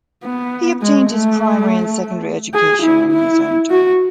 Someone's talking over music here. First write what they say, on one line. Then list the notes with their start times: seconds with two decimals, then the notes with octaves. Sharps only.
He obtained his primary and secondary education in his hometown.
0.24 B3
0.82 G#3
1.11 A3
2.54 G#4
2.83 E4
3.11 E4
3.70 F#4